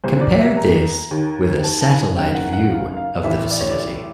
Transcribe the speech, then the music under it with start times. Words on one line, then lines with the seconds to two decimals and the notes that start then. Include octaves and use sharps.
Compare this with a satellite view of the vicinity.
0.04 C2 B2 C5
0.21 D5
0.40 E5
0.57 A#5
1.11 D#2 D#3
1.64 A5
1.81 A5
1.90 G#5
2.17 F#1 F#2 D#3 G5
2.35 F#5
2.53 F#5
2.70 F5
2.97 F5
3.23 A1 A2 E3 E5
3.51 D5
3.61 C#5
3.70 D5